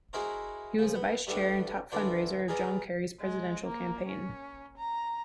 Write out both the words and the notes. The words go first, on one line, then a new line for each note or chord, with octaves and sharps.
He was a vice-chair and top fund-raiser of John Kerry's presidential campaign.
D#4 E4 F#4 G#4 A#4 C5
C#3 F3
B3
G3 A3 B3 D4 G4
D3 E3 D4 E4 F4 D5
G#4 A#4 B4 D5 D#5
G#3
A#3
C#4
A#5